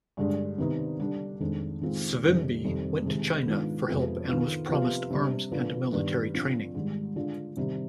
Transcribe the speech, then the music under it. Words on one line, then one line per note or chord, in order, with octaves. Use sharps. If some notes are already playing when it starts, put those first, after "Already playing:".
Savimbi went to China for help and was promised arms and military training.
G2 D3 G#3
C3 D#3 B3 D#4
D3 G3 D4
F2 D#3 G#3 D4
D#3 G#3 C4 F4
F2 C3 D#3 G3 D4
F2 C3 D#3 G3 C4
C3 D#3 G#3
G#2 D#3 B3 D4 F4
F2 C3 F3 G#3 B3
D#3 B3 F4
C3 F3 B3 F4
C3 G3 D4
D3 F3 B3
G2 D#3 B3
D3 F3 C4
G#2 D#3 G3
D3 G#3 D4 F4
C3 D#3 G3